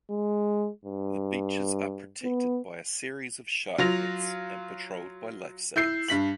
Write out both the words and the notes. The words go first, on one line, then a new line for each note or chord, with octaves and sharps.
The beaches are protected by a series of shark nets and patrolled by lifesavers.
G#3
G2
B3
F#3 F4 A#6 F7
E4 G6 C7
G2 B6 F#7